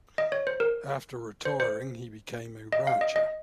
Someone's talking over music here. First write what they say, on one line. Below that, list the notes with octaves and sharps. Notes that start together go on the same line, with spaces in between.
After retiring, he became a rancher.
D#5
C#5
C5
A#4
C5
C5
D#5
F5
D#5
D#5